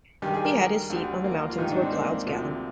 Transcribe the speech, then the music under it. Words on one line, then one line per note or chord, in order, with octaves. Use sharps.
He had his seat on the mountains where clouds gather.
G2 D#3 G3 G4
G#4
A#4
D2 D3 G3
A#3
F4
G#2 D#3 G3 D#4
D4
C4
A#3
D2 C3 F3